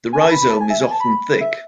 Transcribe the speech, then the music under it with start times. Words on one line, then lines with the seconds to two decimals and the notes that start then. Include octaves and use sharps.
The rhizome is often thick.
0.13 G#5
0.20 A5
0.31 B5
0.41 B5
0.50 A5
0.61 G#5
0.70 E5
0.81 G#5
0.91 A5
1.00 B5
1.41 E5